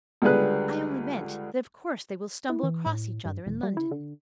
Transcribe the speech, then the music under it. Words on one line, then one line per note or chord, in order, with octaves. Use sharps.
"I only meant that of course they will stumble across each other in London."
C#2 D3 G3 G#4 B4 F#6
E4
E3
A2
G2
E1
G3
E4
D3